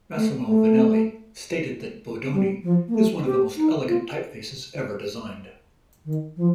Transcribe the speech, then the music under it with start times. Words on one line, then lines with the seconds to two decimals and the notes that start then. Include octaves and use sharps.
Massimo Vignelli stated that Bodoni is one of the most elegant typefaces ever designed.
0.16 A3
0.45 A3
2.32 G3
2.63 F3
2.88 A#3
2.95 A3
3.26 G4
3.57 D#4
3.88 F4
6.05 D#3
6.37 F3